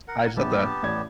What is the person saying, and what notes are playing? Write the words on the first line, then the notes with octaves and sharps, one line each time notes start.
I just have to
A#4 F#5
A#1 B3 G4 A5
A1 D5 G#6